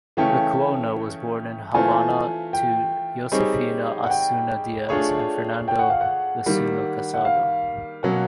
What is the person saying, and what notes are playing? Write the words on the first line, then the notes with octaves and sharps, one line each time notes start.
Lecuona was born in Havana to Josefina Asencio Diaz and Fernando Lecuona Casado.
C#3 E3 A3 C#4 G5
E3 A3 C4 F4 G#5
G5
G3 C4 D#4 G#4 C#5
F#5
G5
A3 D4 F4 G#4 C#5
G5
F#5
F5
F#5
D#3 G3 A#3
F#5
F5
B2 F#3 A#3 C#4 F#4